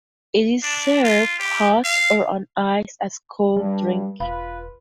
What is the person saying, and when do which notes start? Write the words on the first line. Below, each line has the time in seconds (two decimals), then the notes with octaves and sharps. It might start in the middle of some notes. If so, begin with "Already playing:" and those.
It is served hot, or on ice as a cold drink.
0.63 D4
1.04 F4
1.39 G4
1.84 F5
3.57 G2 G3
4.20 E1 F4 B4 F5 B5